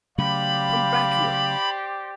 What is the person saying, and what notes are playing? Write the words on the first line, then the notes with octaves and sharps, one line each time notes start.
Come back here!
C#3 F#3 A3 G4 C5 D5 F5 B5